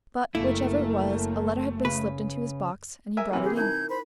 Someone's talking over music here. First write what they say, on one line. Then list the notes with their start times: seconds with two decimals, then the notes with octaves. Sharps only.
But, whichever it was, a letter had been slipped into his box, and he brought it in.
0.35 F#1 A3 A#3 E4
1.85 C#3 B4
3.17 A#4 E5 G#5
3.31 C3 E3 A#3
3.42 G4 G#4
3.57 D#4 E4 A#4 G6 G#6
3.90 C5 B5